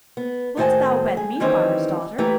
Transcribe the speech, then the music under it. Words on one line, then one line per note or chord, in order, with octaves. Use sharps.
'Wilt thou wed me, farmer's daughter?'
B3
A2 D#3 F#4 C5 G#5 A5
G#4
D#3 E3 G3 C4 C#4 D#4
F#2 E3 A3 G4 B4 A#5